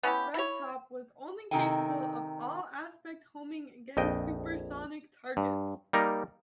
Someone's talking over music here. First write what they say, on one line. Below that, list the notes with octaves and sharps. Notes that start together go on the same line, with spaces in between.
Red Top was only capable of all aspect homing against super-sonic targets.
B3 C#4 E4 G4
E4 C#5
C3 D#3 D#4 A4 G5 G#5
A#1 F2 D#5 G5
G2
G3 A#3 D#4 A#4